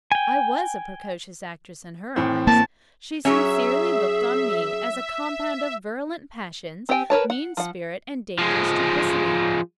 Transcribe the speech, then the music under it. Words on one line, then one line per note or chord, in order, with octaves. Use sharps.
I was a precocious actress in her eyes; she sincerely looked on me as a compound of virulent passions, mean spirit, and dangerous duplicity.
G5 G#5
A2 E3 C4
A#3 A5
F#3 C#4 G#4 E5
C4 G4 C5 G5 G#5
A#4 B4 C#5 A5
F#5
F3 F#5
F3 G#3